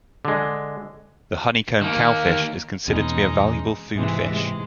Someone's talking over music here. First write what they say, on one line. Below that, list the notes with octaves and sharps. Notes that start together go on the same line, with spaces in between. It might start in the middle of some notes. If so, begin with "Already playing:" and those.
The honeycomb cowfish is considered to be a valuable food fish.
D3 G#3
D#3 A#3
E2 B2 G#3 C#4 D#4
G#2 C3 E3 G#3
C3 G#3